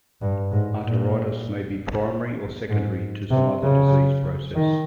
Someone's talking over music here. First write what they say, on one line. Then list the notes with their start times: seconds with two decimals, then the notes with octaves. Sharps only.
Arteritis may be primary or secondary to some other disease process.
0.21 G2
0.52 G#2
0.83 A#2
2.69 G#2
3.31 C3
3.62 C#3
4.55 D#3